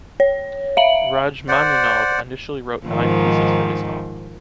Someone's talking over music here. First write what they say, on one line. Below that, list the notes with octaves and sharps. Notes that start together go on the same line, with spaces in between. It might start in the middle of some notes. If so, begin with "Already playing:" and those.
Rajmáninov initially wrote nine pieces for his Op.
C#5
E5 F5 F#7
C5 D5 F#5
G#2 D#3 F3